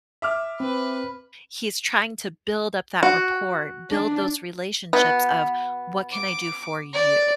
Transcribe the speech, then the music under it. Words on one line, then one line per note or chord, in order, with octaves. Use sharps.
He's trying to build up that rapport, build those relationships of "What can I do for you?"
E5 D6 F6
C4 B4
F#4
D4
B2 B3
D6
D5